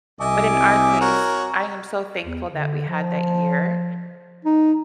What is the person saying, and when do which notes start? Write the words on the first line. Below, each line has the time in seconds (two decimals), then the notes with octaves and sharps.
But in our case, I am so thankful that we had that year
0.21 C2 D#5 E5 G#5 D6
1.01 F#4 A#4 C#5
2.22 E2
2.50 D3
2.88 F3
4.45 D#4